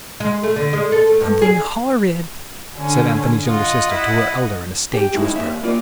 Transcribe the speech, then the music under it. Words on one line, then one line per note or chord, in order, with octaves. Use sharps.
"Something horrid," said Anthony's younger sister to her elder in a stage whisper.
G#3
A3
D3
G#3
A4
A3
G2
G#4
D3 C#4
F4 D#5 F#5
E4
G4
G2 G#3 D#4 E4
D#2 A#2 E5
A#3 F4 D5